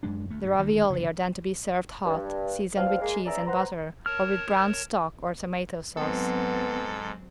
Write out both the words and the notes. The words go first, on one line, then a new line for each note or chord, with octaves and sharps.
The ravioli are then to be served hot seasoned with cheese and butter or with brown stock or tomato sauce.
F#2 G#3 D4
D2 A3
G2
D2 D#3
F#1 A2 D3
G2
G2 F3 C4 D4 F5
G#3 A#3
E2 C#3 G#4 D5 E5 A#5
B4 C5 F#5 A#5
A#4 C#5 A5 F6
G#2 F#3 B3 C4 A4